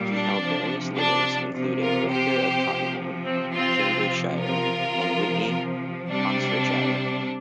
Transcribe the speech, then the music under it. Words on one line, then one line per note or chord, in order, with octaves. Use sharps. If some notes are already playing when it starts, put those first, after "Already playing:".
He held various livings, including rector of Cottenham, Cambridgeshire, and Witney, Oxfordshire.
Already playing: A#2 G3
D4
C3 F3
D4
C3 F3
F4 A#4
G4 C5
C3 F3
C4
C4 F4
C3 F3
F4 A#4
C3 F3
C3 G3 D4